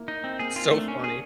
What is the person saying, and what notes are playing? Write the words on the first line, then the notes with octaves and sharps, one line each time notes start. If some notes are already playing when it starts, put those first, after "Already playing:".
It's so funny.
Already playing: A#3 E4
D#4
C4
A#3 G#4
C4 F4
A3 D4
C#4
G#4